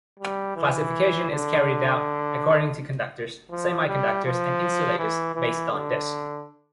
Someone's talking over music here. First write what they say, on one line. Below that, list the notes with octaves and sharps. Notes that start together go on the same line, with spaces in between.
Classification is carried out according to conductors, semi-conductors and insulators based on this.
G3
E3
D3
F3
G3
F3
E3
E3
D3